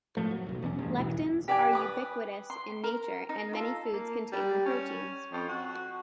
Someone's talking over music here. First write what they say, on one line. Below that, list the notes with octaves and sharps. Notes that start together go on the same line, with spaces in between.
Lectins are ubiquitous in nature and many foods contain the proteins.
A2 F3 A3
F#3
D#1 B1
E2 B2 C#4
A1 G2
E1 B1 F#2 E3
G4 D5 F#5 G#5
B4 D6 D#6
C6
A#4
D#4
F4 A4
A#3
G3
C#4
F2
F#4